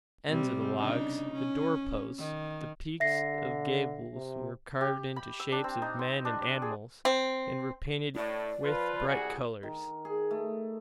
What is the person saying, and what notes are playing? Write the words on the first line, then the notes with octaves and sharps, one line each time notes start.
The ends of the logs, the door-posts, the peaks of gables, were carved into shapes of men and animals and were painted with bright colors.
C3 G3 C4
C#3 D4 D#4
C#4
D#3
D3 E5 A#6 C7
C3
G4
B5
E6
D4
C4
D#4
C6
D4
D5
G#4
C4
A2 D5
F3 F4 B4
C2 F#4 G#4
D#3
G#4
A3